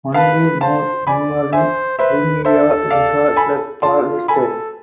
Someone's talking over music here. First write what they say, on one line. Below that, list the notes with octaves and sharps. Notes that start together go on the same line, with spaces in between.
Only moves involving Primeira Liga clubs are listed.
B4 F5 A5
C5 F5 A5
D5 G#5 B5
C5 E5 G#5
B4 C5 E5
A4 C5 E5
D5 F5
G#5 B5
F4 A5 C6
A4 G#5 B5